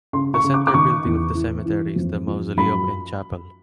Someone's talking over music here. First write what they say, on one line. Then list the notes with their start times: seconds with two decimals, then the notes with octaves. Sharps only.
The center building of the cemetery is the mausoleum and chapel.
0.13 C#3 C6
0.34 C#6
0.44 C#3
0.54 D6
0.67 D6
0.74 D#3 C#6
1.05 E2
1.35 E3
1.66 E3
1.96 F2
2.28 F3
2.57 F#2 B5